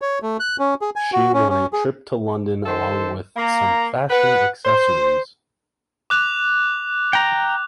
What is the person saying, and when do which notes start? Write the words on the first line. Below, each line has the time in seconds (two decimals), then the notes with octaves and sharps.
She won a trip to London along with some fashion accessories.
0.02 C#5
0.22 A3
0.40 F#6
0.59 C#4
0.81 G#4
0.96 G#5
1.13 F#4
1.34 C#4
1.50 C#4
1.73 G#4
2.66 D#3 A4 C5 C6
3.36 A#3 A#5
4.11 B4 F#5
4.64 C5
6.10 D6 F#6 F7
7.13 G5 A#5